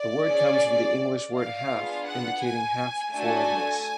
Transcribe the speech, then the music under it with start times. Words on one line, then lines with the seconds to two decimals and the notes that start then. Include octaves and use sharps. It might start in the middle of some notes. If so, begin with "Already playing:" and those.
The word comes from the English word "half" indicating half foreign-ness.
Already playing: D5
0.26 C#4 G#4
1.34 F5
1.69 B3 D4 F4 G#4
2.05 F#5
2.41 G#5
3.12 A3 D4 F#4 A4 G#5